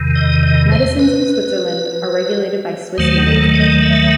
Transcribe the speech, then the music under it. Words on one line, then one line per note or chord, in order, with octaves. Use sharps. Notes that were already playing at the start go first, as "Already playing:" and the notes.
Medicines in Switzerland are regulated by Swissmedic.
Already playing: E2 C3 D#3
D#5
D#5
C5
B4
D#2 D#3 F#3 A3 C5
A4
D#5
E5